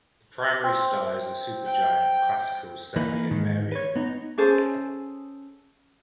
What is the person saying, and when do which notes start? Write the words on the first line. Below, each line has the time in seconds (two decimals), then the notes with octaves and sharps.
The primary star is a supergiant Classical Cepheid variable.
0.64 C4 C6
1.65 G5
2.96 E3 A#3 D#4 B4
3.31 G#2 D#3
3.72 B4 C#5
3.96 B3 D#4
4.38 C#4 G#4 A4 C5